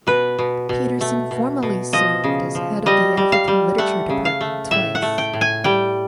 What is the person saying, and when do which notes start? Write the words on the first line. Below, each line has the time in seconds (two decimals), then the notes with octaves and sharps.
Peterson formerly served as Head of the African Literature Department twice.
0.07 B2 B4
0.39 B2
0.69 B2
1.01 A3
1.31 B2
1.63 B2
1.93 F3 D#5
2.24 C#3
2.55 F3
2.86 G3 D#5
3.17 G3
3.32 F5
3.48 G3
3.78 A3 F#5
4.10 C#3
4.25 F5
4.41 A3
4.71 A2 E5
4.95 F#5
5.02 A3
5.18 G5
5.33 A2
5.41 G#5
5.64 G3 G5